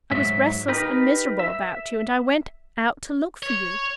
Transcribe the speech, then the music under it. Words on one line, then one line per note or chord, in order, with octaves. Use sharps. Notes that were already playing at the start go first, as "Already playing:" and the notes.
I was restless and miserable about you, and I went out to look for you.
G#2 F#3 E5
D#4 G4 A#4 B4
E5
C#5